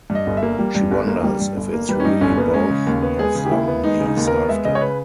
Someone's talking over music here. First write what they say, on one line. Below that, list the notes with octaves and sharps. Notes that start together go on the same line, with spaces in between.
She wonders if it's really both of them he's after.
G2
D#5
G1
E5
A#3
G3
G2
G1
A#3
G3
G2
G1
A#3
G3 B4
C#4
G2 D#4
G1 C#4
A#3 B3
G#3 C#4
C#3
D#2
B3
G#3 G#4
C#3
G4
D#2 E4
B3
G#3 D#4
C#3
D#4
D#2
B3 A#4
G#3 E5
C#3 D#5
C#5
B4